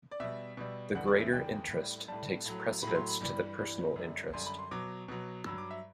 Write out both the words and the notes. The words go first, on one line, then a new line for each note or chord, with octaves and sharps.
The greater interest takes precedence to the personal interest.
D5
B2 G3 E5
B2 G3
E2 D3 G3 F#5
D5
E5
E2 D3 G3 G5
A2 G3
A2 G3 A5
A2 F#3
A2 F#3 B5
C6
B5
G2 E3 G3
G2 E3 G3
F#2 D3 G3
F#2 D3 G3 C6
B5
C6
B2 F#3 D6
B2 F#3
G2 F#3 E6
D6
E5